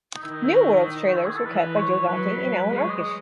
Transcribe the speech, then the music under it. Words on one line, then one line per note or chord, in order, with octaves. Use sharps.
New World's trailers were cut by Joe Dante and Alan Arkush.
D#4
D#3 E4
D#4
E4
F#4
E4
D#4
F#4
E4
G#4
A4
E3 B4
C#5
F#3 B4
G#3 B4
C#5
D#5
D#5